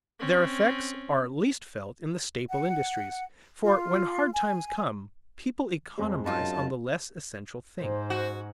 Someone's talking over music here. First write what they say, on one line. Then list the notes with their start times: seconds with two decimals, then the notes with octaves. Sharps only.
Their effects are least felt in the staple industries, for when hard times come, people economize on the less essential things.
0.19 C4 C#4
2.49 F#5
3.64 F4
4.34 G#5
5.98 F2 G#3
6.26 F#2 D#4 F4 A5
7.79 G#2 C5
8.10 F#4